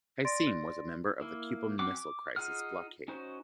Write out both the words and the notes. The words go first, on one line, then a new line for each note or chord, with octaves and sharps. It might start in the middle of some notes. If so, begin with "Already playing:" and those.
Hissem was a member of the Cuban Missile Crisis blockade.
D5 C6 A6 A#6 D7
A#3 E4
F#3 C4 C#4 F#5 D6
D6
D#4 F4 G#4 F#5 F6
C#4 D#4 F#4 C5